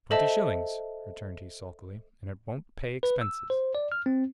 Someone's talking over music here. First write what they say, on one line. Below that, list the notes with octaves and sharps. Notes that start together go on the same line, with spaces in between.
"Twenty shillings," returned he, sulkily, "and it won't pay expenses."
A4 C5 D#5 E5 A5
B4
E6
C5
D5
F6
C4